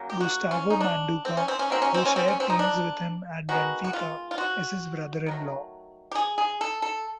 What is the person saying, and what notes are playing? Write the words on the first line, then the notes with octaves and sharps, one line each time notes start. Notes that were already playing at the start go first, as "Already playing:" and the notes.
Gustavo Manduca, who shared teams with him at Benfica, is his brother-in-law.
Already playing: C#3 F#3 A#3
G4
F#4
C#4
D#4
D4
C4
C#4
C4
C#4
D#3 F#3 A#3 C4
C#4
C4
C#4
C4
C#4
C4
D#4
D4
D#3 G#3 B3 F#4
F#4
F4
F4
F#4
D#3 F#3 A3
G4
G#4
G#4
A4
A4